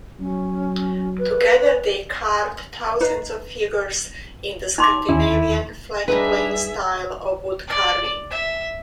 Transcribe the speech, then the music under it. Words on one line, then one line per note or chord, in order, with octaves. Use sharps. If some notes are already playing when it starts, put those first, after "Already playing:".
Together they carved thousands of figures in the Scandinavian flat-plane style of woodcarving.
F#3 C#4
B4
D#4 B4 C7
D#4 C6 D6
D#2 C#4 E4
G3 D4 D#4 G#4 B4 E5
D5
E5